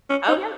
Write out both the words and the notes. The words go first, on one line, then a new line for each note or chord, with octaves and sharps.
Oh, yeah.
C#4
D#4